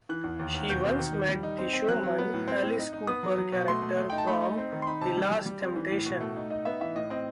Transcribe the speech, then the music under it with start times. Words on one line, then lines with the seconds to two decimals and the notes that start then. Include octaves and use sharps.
She once met the "Showman" Alice Cooper character from "The Last Temptation".
0.09 E3 F#6
0.24 E2
0.39 D#2
0.55 D#2
0.69 B2 G6
0.84 C4
0.99 D#3
1.14 D#3
1.29 G3
1.43 D#4
1.58 C4
1.73 C4
1.88 F#3 F#6
2.03 F#3
2.18 B3
2.34 A2
2.47 C4
2.62 A2
2.79 D#4
2.93 D#4
3.07 B3 D#6
3.23 F#3
3.38 F#3
3.52 B2
3.67 A3 C6
3.82 A3
3.97 A3
4.10 D#4 G5
4.18 A5
4.27 A3 B5
4.41 D#4
4.58 C4
4.72 D#3
4.82 C6
4.87 D#4 B5
5.01 C3 A5
5.17 G3
5.31 G3
5.46 G3
5.61 C4
5.76 E3
5.91 A2
6.06 B2
6.20 A3
6.36 D#4
6.50 D#4 D#5
6.65 B3 E5
6.81 E3 E5
6.95 A2 D#5
7.10 C4 D#5